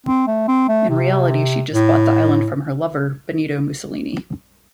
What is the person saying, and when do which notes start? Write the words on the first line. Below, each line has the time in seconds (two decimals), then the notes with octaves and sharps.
In reality, she just bought the island from her lover, Benito Mussolini.
0.06 C4
0.27 A3
0.48 C4
0.68 A3
0.89 C3
1.73 A2